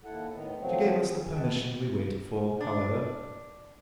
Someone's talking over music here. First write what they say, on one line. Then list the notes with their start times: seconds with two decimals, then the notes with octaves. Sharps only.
She gave us the permission we waited for, however.
0.04 D#2 E4 A4 F#5
0.34 A2 D#3 B3
0.60 C3 F3 F#3 A3 C4
1.08 G#4
1.34 B4 D#5 E5 F#5 G5 A5
2.61 D4